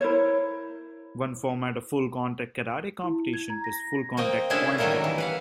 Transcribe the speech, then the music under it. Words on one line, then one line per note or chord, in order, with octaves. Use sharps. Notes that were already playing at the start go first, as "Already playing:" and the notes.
One format of full contact karate competition is full contact point karate.
E4 A#4 C5 C#5
E4
G#6
A#5
A#6
A#3 C4 D#5 G5
A3 C#4 D4 E4 G#4 E5
D#3 F#3 G3 A3 A#3 A#4
E3
B4 F5 F#5